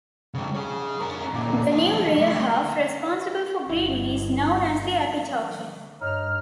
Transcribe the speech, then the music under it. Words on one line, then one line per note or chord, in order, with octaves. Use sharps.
The new rear half, responsible for breeding, is known as the epitoke.
C#3 G3
G#4 C#5
C#4 A#4
A#2
F5 A5
G3 A3
G1 G2 E4
G2 D#4 C#5 F6